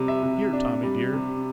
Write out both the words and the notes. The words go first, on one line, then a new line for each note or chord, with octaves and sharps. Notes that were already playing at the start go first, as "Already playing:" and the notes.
Here, Tommy, dear.'
Already playing: C3 G3
E5
C3
D4
G3
C3